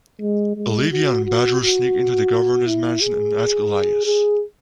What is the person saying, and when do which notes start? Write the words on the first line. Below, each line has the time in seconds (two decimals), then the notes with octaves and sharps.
Olivia and Badru sneak into the governor's mansion and ask Elias.
0.21 G#3
0.56 G#3
0.91 F#4
1.26 F#4
1.61 F#4
2.66 E4
3.01 G#4
4.06 G#4